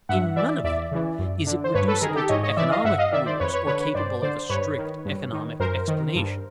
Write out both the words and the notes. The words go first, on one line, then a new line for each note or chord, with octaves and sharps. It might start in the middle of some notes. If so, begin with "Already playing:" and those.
In none of them is it reducible to economic rules or capable of a strict economic explanation.
G2 E5 F#5
E3 D5 E5
E2 D5 E5
C#3 E3
F#2
D3
C5
G2 B4 C#5
A4 B4
D#3 G#4 A#4
G4 A4
G#2 C#5 D#5
C#5 D#5
E3 D5 E5
D#5 F5
G2 E5 F#5
D#5 F5
D#3 D5 E5
C5 D5
F2 B4 C#5
B4 C#5
D3 B4 C#5
B4 C#5
G2 C5 D5
D3 C5 D5
G2 B4 C#5
D#3
G2
D#3
F#2 A#4 C5
D#3
G2